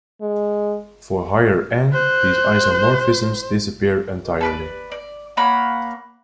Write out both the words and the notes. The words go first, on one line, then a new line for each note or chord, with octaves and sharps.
For higher "n", these isomorphisms disappear entirely.
G#3
C5 F#6
A4 B4 D5
D5
A#3 C#5 F#5 B5